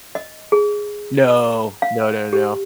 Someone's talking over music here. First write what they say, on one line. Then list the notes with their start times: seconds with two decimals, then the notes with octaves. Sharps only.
No. No, no, no.
0.15 D#5
0.52 G#4
1.82 F5
2.33 G4